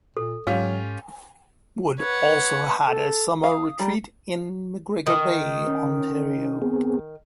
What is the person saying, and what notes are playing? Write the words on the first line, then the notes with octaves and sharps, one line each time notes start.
Wood also had a summer retreat in McGregor Bay, Ontario.
A#2 A4
G#2 F#3 C#4 F4 G4 F5
B4 C#5 F#5
A4
F5 D#6
G3 A#5
D#3
C#4
B3 C4 G#4